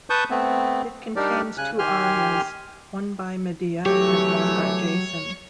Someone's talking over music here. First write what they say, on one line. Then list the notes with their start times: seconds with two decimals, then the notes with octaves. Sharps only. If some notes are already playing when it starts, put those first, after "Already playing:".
It contains two "arias", one by Medea and one by Jason.
0.10 B4 A5 C#6 D#6 G6
0.30 A3 B3 C4
1.16 G3 D4 D#4 G4 A#4 D5
1.58 C#3 G#5 F#6
1.79 D#3 G4 G#5 C6 F6
3.86 C2 E3 F#3 A3 G4 C#5